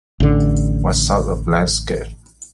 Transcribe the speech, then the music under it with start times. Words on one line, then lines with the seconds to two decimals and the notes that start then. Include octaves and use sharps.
What sort of landscape?
0.20 A1 D3